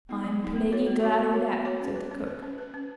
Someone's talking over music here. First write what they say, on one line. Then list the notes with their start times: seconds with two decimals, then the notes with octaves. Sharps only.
"I'm plaguy glad o' dat," said the cook.
0.09 B3 D#4
0.24 F#3
0.39 B3 D#4
0.55 B3
0.72 F#4 C#5
0.87 B3
1.03 F#4 C#5
1.17 B3
1.33 F#4 C#5
1.49 B3
1.65 F#4 C#5
1.81 C#4
1.96 B4
2.11 C#4
2.27 B4
2.43 C#4
2.58 B4
2.74 C#4